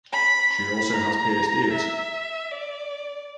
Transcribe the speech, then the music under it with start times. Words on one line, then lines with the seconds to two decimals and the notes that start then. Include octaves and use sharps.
She also has pierced ears.
0.13 B5
0.53 B5
0.92 A#5
1.72 E5
2.51 D5